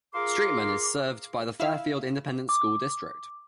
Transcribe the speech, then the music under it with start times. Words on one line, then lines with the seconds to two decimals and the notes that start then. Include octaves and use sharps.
Streetman is served by the Fairfield Independent School District.
0.13 F4 G#4 A#4 C6 D6
1.60 E4 E5 F5
2.49 D6